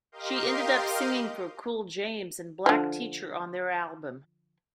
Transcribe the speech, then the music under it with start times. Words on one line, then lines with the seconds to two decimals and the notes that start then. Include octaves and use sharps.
She ended up singing for Cool James and Black Teacher on their album.
0.12 G4 A#4 D#5 F5 C6 G6
2.66 D3 F3